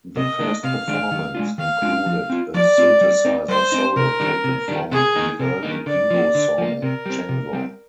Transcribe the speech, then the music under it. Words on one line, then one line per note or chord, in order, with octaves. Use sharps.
The first performance included a synthesizer solo taken from the early Devo song Chango.
C3 D#5
D#3 G#3 D4
C3 F5
D#3 G#3 D4
D#3
G#3 D4 F4
D#3 F5
G#3 D4 F4
F3
C4 F4
F3 D5
C4 F4
G3
C4 D#4
G3 C5
C4 D#4
C3 A#4
D#3 G3 D4
C3
D#3 G3 D4
C3 G#4
D#3 A#3 D#4
C3 A#4
D#3 A#3 D#4
D3 D5
F3 A#3
D3
F3 A#3
C3 A#4
G3 C4
C3
G3 C4